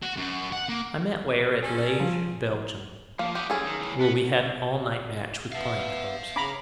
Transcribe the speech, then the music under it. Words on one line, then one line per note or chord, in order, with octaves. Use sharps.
I met Weyer at Liege, Belgium, where we had an all-night match with playing cards.
F#4
F#2
F#5
A#3
C#4 G#4 A4
F3
F3 A#3
G4 D#5 F#5
F#2 C#4 G#4 A4
D#3
E2 A2
B3
B3 E5 F5 A5
C#3 A#5 B5 D6